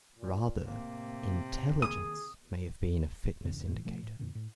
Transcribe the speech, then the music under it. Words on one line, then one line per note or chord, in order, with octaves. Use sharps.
Rather, intelligence may have been a fitness indicator.
A#2
A2 C3 A#3
D#3 A#3 G#4 D#6
G1 E2 C#3
A2 E3
B2 F3 A3
A2
F2 A#2 D3
A2